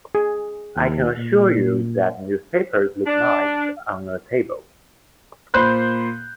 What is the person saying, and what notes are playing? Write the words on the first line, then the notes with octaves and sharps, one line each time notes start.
I can assure you that newspapers look nice on a table.
G#4
D#2
A#2
D4
A#2 C5 B5 C6 F#6 G6